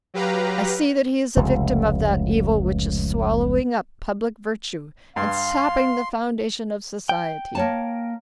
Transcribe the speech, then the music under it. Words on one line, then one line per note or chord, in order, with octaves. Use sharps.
I see that he is a victim of that evil which is swallowing up public virtue and sapping the foundation of society.
F#3 G4 B4 F5 A#5
F1 C#2
G2 F5 C6
G5
A#3 C#5 A5